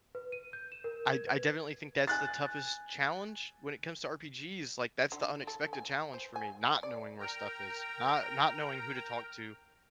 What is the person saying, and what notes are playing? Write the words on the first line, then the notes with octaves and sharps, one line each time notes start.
I I definitely think that's the toughest challenge when it comes to RPGs, like, that's the unexpected challenge for me, not knowing where stuff is, not not knowing who to talk to,
B4
D#7
G6
E7
A#4
G#6
B4
G#5 F#6 A6
D3
A4
G#5
C5
G#5
D5
A#4 G5 A#5